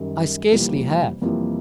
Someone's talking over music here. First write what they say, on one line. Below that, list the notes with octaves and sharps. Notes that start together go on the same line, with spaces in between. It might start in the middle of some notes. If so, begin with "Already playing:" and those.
"I scarcely have."
Already playing: F#2 D#3 G3
F2 C3 E3 G3 A#3
F2 C3 E3 G3 A#3